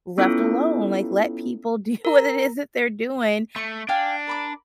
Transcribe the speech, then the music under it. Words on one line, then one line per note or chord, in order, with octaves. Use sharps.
left alone, like, let people do what it is that they’re doing
B3 C#4 E4 F4 A4
A#4 A#5
A3 C#6
D4 F5 G5 G#5
A#4 B5 D6